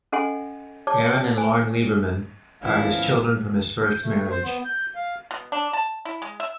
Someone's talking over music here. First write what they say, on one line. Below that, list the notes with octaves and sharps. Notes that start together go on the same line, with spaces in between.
Erin and Lorne Lieberman are his children from his first marriage.
C#4 A4 D#5 F#5 G#5 C6
C#5 D5 A5 D6
C6
C5 G#5
G#1 F3 B3 C#4 E4 F5
G6
A3
C5
B3
G6
F5
B2
D4
A5
E4
G#3
E5